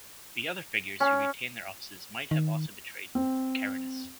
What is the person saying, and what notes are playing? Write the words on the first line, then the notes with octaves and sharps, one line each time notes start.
The other figures who retained their offices might have also betrayed Carinus.
C#4
D#3
C4